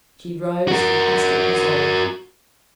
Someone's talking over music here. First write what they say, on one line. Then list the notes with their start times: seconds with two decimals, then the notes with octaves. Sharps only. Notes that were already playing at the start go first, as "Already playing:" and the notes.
She rose with instant resolve.
0.68 F#4 A#4